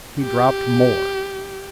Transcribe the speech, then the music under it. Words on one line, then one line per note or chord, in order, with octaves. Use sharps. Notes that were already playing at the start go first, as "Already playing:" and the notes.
He dropped more.
G4